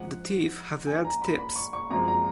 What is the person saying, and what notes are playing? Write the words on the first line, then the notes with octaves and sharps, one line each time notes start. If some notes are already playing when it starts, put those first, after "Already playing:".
The teeth have red tips.
Already playing: G#2 F3 G#3 F#5
G#5
A#5
B5
B5
C#6
C#6
G#1 F#2 F3 G#3 A#5
A#5